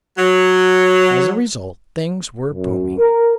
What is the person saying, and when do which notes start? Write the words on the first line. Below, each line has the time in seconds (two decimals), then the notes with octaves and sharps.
As a result things were booming.
0.18 F#3
2.51 F#2
2.98 A#4